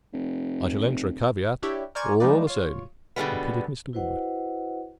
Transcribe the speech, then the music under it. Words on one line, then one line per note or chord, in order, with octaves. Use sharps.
"I shall enter a caveat, all the same," repeated Mr. Winwood.
F1
D4 E4 G4 C#5 E5
A#4 C5 D5 G#5 C#6 G#6
F3 G#3 A3 D#4 B4 D5
F4 C#5
B2 D3 E3 G3 G#3 B3
E4 F#4 B4 C5 D#5 F#5